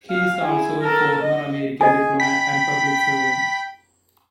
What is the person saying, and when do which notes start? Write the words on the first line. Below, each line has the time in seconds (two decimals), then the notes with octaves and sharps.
He is also a former American diplomat and public servant.
0.10 F5
0.44 E4 G#4
0.81 A4 A#4
1.22 D#5
1.81 G#4 D#5 G#5
2.20 G5 B5 B6